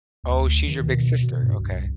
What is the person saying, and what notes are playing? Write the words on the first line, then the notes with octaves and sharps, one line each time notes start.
Oh, she's your big sister, okay.
D2
D#3
B2
B2
G2
C2